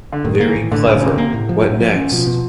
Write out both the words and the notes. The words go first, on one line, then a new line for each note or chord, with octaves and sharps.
Very clever; what next?
D3
A2 D#3
A#3
E3
A2
A2 D3
A2 C#3
C3 C#4
A#3
A2
F3
A2
F3
C#4
B2 F3
B2